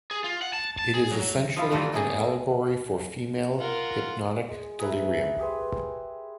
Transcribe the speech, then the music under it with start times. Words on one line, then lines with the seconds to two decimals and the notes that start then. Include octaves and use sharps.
It is essentially an allegory for female hypnotic delirium.
0.11 G#4
0.24 F4
0.42 F#5
0.53 A5
0.79 A5
0.94 G#4
1.11 F#3
1.56 F3 E4 F5
1.72 E3 F#3 G3 A3 F4
1.93 B2 A3 A#3 C#4 D#4 G#4
3.60 F4 A#4 F#5
4.49 G#3
4.79 G#4 A#4 B4 E5
5.39 G4 G#4 B4 C5